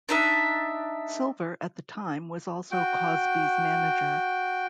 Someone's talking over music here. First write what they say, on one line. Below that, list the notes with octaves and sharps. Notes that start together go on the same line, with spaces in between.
Silver, at the time, was also Cosby's manager.
D4 D#4 E5
F#4 G5